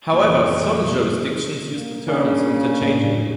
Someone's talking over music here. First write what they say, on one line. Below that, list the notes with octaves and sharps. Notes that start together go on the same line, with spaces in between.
However, some jurisdictions use the terms interchangeably.
F2 A#2 E3
A#3
C#3 D4
A2 D4